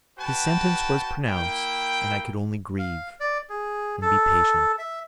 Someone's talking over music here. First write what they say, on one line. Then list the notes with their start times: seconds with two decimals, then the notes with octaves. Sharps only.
His sentence was pronounced, and I could only grieve and be patient.
0.17 F#4 B4 G5 A5
1.25 A#3 E4 G5
2.79 F5
3.20 D5
3.50 G#4
4.02 A4
4.79 E5